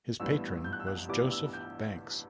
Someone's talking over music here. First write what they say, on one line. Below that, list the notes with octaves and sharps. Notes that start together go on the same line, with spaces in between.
His patron was Joseph Banks.
A1 G2 E3 G3 B3 E6
G6
F#6
E6
F#6
A1 G2 E3 G3 B3 D6
E6
G6